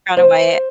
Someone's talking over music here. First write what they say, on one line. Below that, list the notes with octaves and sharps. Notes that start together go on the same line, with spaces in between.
brown or white?
C5